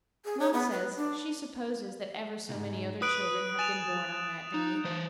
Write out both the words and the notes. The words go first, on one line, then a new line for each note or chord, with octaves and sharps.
Mama says she supposes that ever so many other children have been born on that day.
G#4
C#5
B3
B4
D4
C2 G#2
B4 D#6 F#6 D7
G#5 A6 E7 F7
D#4
E3 C5